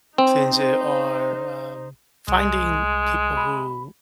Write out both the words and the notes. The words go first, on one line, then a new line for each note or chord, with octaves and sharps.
things that are, um, finding people who
C4 D#4 C5
C2 G#3
B5